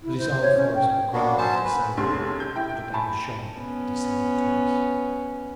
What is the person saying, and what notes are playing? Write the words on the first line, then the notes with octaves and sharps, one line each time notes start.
The disarmed forester grappled his assailant; but the dagger shone and descended twice.
E4
C5
C#5
C#4
G5
A#3 B3 D4 F#4
F#3 C#4 C5 A5
B4
F1 B1 G#3 C#4 C6
G6
E4 G5
G#5 A5 B5
B3 C#4